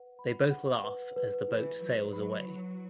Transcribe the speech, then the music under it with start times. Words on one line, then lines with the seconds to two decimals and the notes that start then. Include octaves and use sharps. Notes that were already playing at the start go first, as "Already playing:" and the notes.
They both laugh as the boat sails away.
Already playing: B4 F#5
0.19 B5
0.50 F#5
0.84 B4
1.16 B4
1.48 E3 E4
1.81 F#3 B4
2.13 F#3 B5
2.46 E4